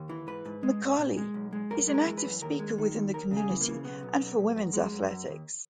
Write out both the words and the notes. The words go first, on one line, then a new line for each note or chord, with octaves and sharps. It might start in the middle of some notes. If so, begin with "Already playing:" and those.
McCallie is an active speaker within the community and for women's athletics.
Already playing: D#2
E3
G#2 B4
G#2
G#3
G#2
A#2
G#3
B1
G#3
F#2 A#4
G#3
A#4
E3
B4
F#2
D#2 A#4
G#3
D#3
D#2
D#2 A#4
C#3
G#4
E3
A#3
C#3
B1 B3
B1
B1
B1
F#2
G#3
F#2
F#2
D#2